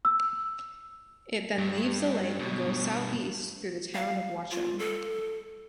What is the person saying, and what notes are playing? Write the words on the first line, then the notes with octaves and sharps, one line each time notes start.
It then leaves the lake and goes southeast through the town of Watchung.
E6
G2
G2 B2
F5
F4
A4